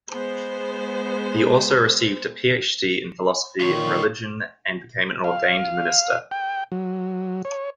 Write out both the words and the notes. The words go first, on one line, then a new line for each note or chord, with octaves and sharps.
He also received a Ph.D. in philosophy in religion and became an ordained minister.
G#3 B3 C5
A#2 D#3 F4 C#5
F5
G5
F#3
C#5